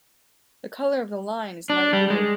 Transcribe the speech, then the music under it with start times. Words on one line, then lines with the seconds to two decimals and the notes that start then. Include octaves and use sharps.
The color of the line is light blue.
1.70 D4
1.93 G3
2.10 G#3